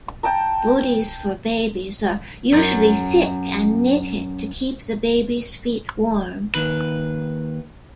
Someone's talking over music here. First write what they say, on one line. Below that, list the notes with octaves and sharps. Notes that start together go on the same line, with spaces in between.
Bootees for babies are usually thick and knitted, to keep the baby's feet warm.
G5 A5 A#5
F#2 F#3
D#2 D#3 B4